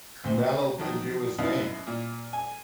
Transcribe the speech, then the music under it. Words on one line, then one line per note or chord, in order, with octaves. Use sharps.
Canelo couldn't do his thing.
D2 C3 C5
D#3 F3 F#3
F#2 B2 D#4 E4 F5
A#2
G#5